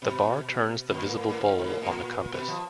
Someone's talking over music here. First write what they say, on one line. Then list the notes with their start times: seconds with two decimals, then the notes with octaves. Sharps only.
The bar turns the visible bowl of the compass.
0.02 B2
0.90 B2
0.94 A#2
1.06 A2
1.17 A2
1.28 A2
1.41 G#2
1.58 G#2
1.64 A2
1.82 B2
1.86 A#2
2.33 B2
2.48 F3